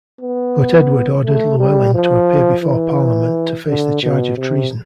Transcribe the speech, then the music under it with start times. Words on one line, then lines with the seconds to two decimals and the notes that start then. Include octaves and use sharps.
But Edward ordered Llywelyn to appear before Parliament to face the charge of treason.
0.21 B3
1.25 A3
1.60 G3
1.94 F3
2.63 E3
3.68 D3
4.03 B2
4.37 C3